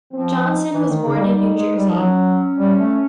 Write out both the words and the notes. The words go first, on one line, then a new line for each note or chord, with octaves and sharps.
Johnson was born in New Jersey.
F3 C4
D#4
E3
D#3
C#3
G#3
G3
G3
G#3
G3
F3
F#3 C#4
G3
A3